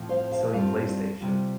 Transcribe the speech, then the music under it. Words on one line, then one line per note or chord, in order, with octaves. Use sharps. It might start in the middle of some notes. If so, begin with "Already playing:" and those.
Sony PlayStation,
Already playing: A2 F3 C4 F4
C5 F5
F5 A5
G2 G3 C4 F4 F5 A5
C3 G3 F4